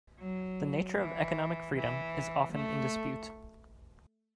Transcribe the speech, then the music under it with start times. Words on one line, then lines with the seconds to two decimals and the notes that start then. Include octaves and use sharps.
The nature of economic freedom is often in dispute.
0.20 F#3
0.97 E3
1.75 E3
2.52 A3